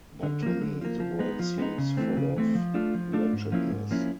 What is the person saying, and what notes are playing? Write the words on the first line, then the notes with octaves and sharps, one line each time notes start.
But to me the world seems full of wretchedness.
D3
F3 A#3
D3
F3 A#3
F3
G#3 B3 D#4
F3
G#3 B3 D#4
C#3
E3 A3 C4
C#3
E3 A3 C4
F3
A3 D4 F4
F3
A3 D4 F4
G#2
F3 A#3 C#4 E4
G#2
F3 A#3 C#4 E4